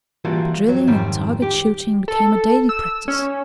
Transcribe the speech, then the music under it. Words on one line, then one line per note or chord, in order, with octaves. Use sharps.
Drilling and target-shooting became a daily practice.
E3 G3 A#3 D4 F4 F#4
F2 F#3
F2 G#2 D#3 G3 C4
G4
A4
E6
C#4